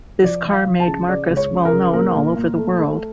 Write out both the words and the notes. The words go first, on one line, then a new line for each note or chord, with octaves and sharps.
This car made Marcus well-known all over the world.
F3 D5
F3
F5
F3
A5
C#3
C#3 D5
C#2
C#5
C#3
A#4
C#3
A#2 A#4
A#2
A#2
A3
A3